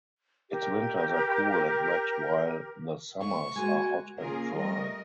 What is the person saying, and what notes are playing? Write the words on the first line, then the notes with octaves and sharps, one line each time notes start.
Its winters are cool and wet while the summers are hot and dry.
G4 A#4
A3 C#5 C#6
G#3 A#3 F#4 G#5
C#3 A#3 F4 G#4 A#4
G3 A3 A#4 D#5